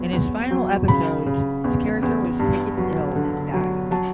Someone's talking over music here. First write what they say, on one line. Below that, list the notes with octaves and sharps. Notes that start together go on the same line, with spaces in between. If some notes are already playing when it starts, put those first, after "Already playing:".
In his final episodes, his character was taken ill and died.
Already playing: E2 F#3
E2
F#3
C#3 B5
C#3
E2
E2
G2
F#3
D3
F#3
F#3 A5